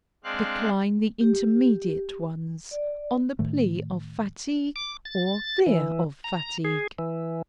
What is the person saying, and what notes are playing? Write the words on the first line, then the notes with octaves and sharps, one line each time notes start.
Decline the intermediate ones, on the plea of fatigue, or fear of fatigue.
G#3 C4 D4 F5 F#6
G4
D5
A2 D#3 A3
D6
A6
E3
A#5
G#4
E3